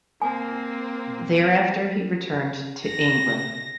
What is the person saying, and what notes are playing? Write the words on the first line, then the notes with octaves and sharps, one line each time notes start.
Thereafter, he returned to England.
A#3 C4 G#5
A#6